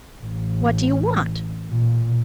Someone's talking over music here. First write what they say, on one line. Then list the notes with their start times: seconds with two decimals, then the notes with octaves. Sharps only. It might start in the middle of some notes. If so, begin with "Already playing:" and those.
"What do you want?"
0.24 A1
1.70 A#2